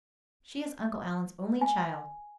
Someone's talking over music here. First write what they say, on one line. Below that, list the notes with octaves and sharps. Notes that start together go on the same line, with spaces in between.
She is Uncle Allan's only child.
G#5